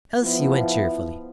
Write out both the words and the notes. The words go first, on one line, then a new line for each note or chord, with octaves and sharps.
Elsie went cheerfully.
F3 B3 E4